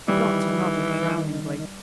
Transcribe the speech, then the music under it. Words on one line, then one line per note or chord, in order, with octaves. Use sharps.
The doctor nodded frowningly.
D#3 E3 G3